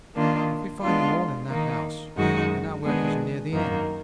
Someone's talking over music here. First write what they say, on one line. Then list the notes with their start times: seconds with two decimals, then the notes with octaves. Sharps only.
If we find them all in that house, then our work is near the end.
0.15 D#3 A#3 D4 F4
0.82 G#3 B3 D4 F4
1.50 D#3 A#3 D#4
2.17 F#2 D#3 G#3 D#4 F#4
2.84 D#3 G#3 B3 D4 G#4
3.52 F#2 D#3 A#3